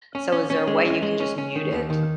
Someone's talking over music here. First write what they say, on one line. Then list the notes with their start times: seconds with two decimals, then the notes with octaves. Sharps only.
So, is there a way you can just mute it?
0.15 C#4
0.32 C#4
0.50 C#4
0.67 G#3
0.85 C#4
1.03 G#3
1.20 C#4
1.38 C#4
1.56 D#3
1.73 D#2
1.90 D#3